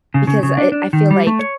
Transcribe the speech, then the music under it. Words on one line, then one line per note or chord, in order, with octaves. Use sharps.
because, uh, eh, I feel, like,
C#3
C#3
C#3
D4
D4
D#3
G3
A3
C#5